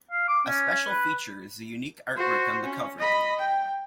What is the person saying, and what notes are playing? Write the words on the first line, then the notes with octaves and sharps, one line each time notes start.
A special feature is the unique artwork on the cover.
F5
D6
C#4
B4
F#4 C5
C#4
D#5 B5
G5